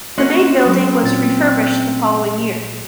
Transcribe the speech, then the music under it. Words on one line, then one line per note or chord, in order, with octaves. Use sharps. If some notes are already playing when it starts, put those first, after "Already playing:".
The main building was refurbished the following year.
A#3 C#4 F#4 A#4 D#5 C6 F#6
F#3 G#3 C4 A4
A#2 A6